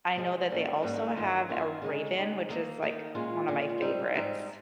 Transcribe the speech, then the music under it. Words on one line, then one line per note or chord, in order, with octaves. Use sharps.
I know that they also have a raven, which is, like, one of my favorites.
C3 F3 G#3
G#2 D#3 G3 A#3 C#4
G#2 D#3 G3 A#3 C#4
G2 D#3 A#3 C#4 F4
G2 D#3 A#3 C#4 F4
C#3 G#3 D#4
C#3 G#3 D#4
D#2 D#3 A#3 D#4
D#2 D#3 A#3 D#4
A#2 G#3 C#4 F4
A#2 G#3 C#4 F4
G#2 G3 C4 D#4
G#2 G3 C4 D#4